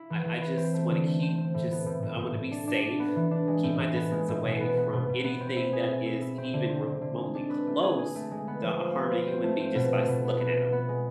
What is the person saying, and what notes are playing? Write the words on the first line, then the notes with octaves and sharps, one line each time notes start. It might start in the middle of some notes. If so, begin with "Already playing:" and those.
I I just wanna keep, just I wanna be safe, keep my distance away from anything that is even remotely close to harming human being just by s looking at ‘em.
Already playing: E4
E3
E3
B4
C4
A3
D3
A3
C4
C4
A2
B3
A2
A2
A2
A2
D4
D4
D4
B3
E3
D4
G#3
A2
A2
B3
G#3
A2
B2
B3
B3
B2
B2
B3
C4
E4
G#4
G#4
E4
E4
C4
D3
C4
D3
D3
G#3
D4
B4
A3
G#4
G#4
A3
G#3
B3
F3
F4
B3
F4
C4
A3
C4
B2
A3
B2
B3
B3
B3
B3
G#3